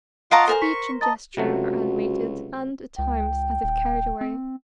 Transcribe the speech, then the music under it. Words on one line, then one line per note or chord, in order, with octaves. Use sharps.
His speech and gesture are animated, and, at times, as if carried away.
F4 D#5 F5 F#5 A5 A#5 C#6 D7
A4 A#4 C5 G#5
C#6 B6
D#5 A5 A#5 A6
C#2 C3 F#3 A3 F#4
C#2 G5
D#1
C4